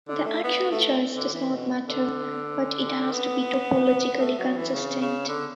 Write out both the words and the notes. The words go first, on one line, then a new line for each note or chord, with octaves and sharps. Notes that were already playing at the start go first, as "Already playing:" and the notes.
The actual choice does not matter, but it has to be topologically consistent.
D3
A3
B3
A3
D3
E3
B2
D3
B3
A3
F#3
E3
C#3
C#3
D3